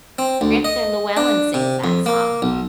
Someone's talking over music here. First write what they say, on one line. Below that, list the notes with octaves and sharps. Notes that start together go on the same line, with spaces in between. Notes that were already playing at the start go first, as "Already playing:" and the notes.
Gran'ther Llewellen sings that song.
C4
D2
D#5
D4
C3
F2
A#3
B1